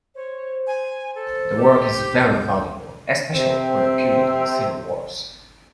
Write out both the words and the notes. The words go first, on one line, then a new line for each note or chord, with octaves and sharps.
The work is very valuable, especially for the period of the civil wars.
C5 C#5
G#5
A4
G4
G6
C3 C4